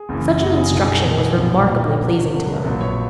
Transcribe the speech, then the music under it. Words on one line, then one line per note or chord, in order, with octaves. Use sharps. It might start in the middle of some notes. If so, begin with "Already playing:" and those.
Such an instruction was remarkably pleasing to him.
Already playing: G#4
F#1 F#2 E3
F#1 F#2 E3 F#4
G#4
G#4
B1 B2 F#3
G#4
A#4
B1 B2 F#3
A#1 A#2 F#3
A#1 A#2 F#3 C#5
D#5
C#5
C#2 B2 F#3 B4
C#5
C#2 B2 F#3
A#4
B4
A#1 A#2 F#3 B4
C#5